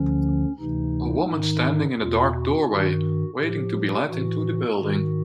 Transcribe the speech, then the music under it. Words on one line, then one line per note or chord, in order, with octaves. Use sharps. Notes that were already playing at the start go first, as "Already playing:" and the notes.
A woman standing in a dark doorway, waiting to be let into the building.
Already playing: D2 D3 F3 C#4
D2 C3 E3 D#4
G#2
D#3
E2 B2 F4
F#4
G2 D#3 F#4
A2 F3 G4
A2 E3 F#4
G#2 D#3 F#4